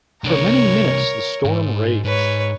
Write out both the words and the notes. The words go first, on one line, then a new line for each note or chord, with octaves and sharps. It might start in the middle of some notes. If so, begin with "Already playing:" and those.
For many minutes the storm raged.
C2 D4 A#4 C#5
G#2
G#2 B4 C#5